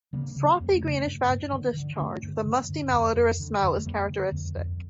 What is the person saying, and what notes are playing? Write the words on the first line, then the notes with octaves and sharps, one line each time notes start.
'Frothy', greenish vaginal discharge with a 'musty' malodorous smell is characteristic.
C#3 G3 A#3
C#3
G3 A#3
F2
A3 C#4
C#3
G2
G2
D3
D3
D3 A3 C#4
G2
D3
G2
F2
F2
D3
F2
A3
F2 G3 A#3
D3
F2
F2